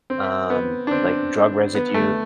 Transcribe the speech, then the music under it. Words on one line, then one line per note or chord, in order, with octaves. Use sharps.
um, like drug residue.
C4
B3
D4
C4
B3
A3